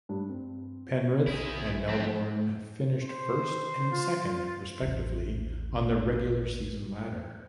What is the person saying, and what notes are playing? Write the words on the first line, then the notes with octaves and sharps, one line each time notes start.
Penrith and Melbourne finished first and second respectively on the regular season ladder.
G2
C4
B1 D#3 E4 G#4
F3 B3 C4
C5
F4
F4
A1 D#2